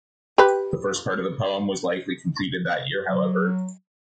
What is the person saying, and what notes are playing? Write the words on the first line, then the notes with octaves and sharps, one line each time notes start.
The first part of the poem was likely completed that year, however.
G4 B4
F#3